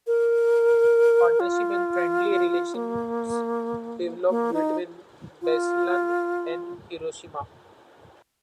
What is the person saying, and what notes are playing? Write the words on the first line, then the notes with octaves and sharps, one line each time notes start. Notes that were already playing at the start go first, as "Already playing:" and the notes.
Partnership and friendly relations developed between Beslan and Hiroshima.
A#4
F4
A#3
A#3
D#4
F4